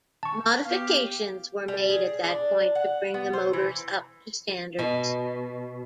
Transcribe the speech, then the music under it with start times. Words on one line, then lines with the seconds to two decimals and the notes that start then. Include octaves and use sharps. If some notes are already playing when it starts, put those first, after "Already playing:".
Modifications were made at that point to bring the motors up to standards.
0.23 A5 C#6
0.65 B3 G4 F5
1.68 G3
1.89 G#4
2.25 D4
2.75 F#5
3.14 B3
3.33 C5
3.53 E3
4.79 B2